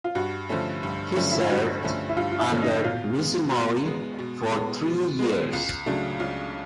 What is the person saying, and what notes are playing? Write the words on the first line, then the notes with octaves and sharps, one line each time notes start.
He served under Mizumori for three years.
F4
G2 F#4
D3 F3 A3 C#4
G2
D3 F3 A3 C#4
E4
F4
G2 F#4
D3 F3 A3 C#4
E4
G2 F4
F4
E4
D3 F3 A3 C#4
D#4
B2 F4
G#3 B3
B2 F#4
G#3 B3
B2
G#3 B3
B2
G#3 B3
C#2
C#3 F#3 A3 D4
C#2 F4